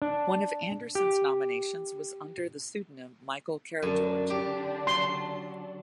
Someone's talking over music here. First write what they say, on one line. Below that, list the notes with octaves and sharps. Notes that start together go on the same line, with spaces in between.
One of Anderson's nominations was under the pseudonym Michael Karageorge.
D4
G4
F#2 D3 D4
G4
F#3 C6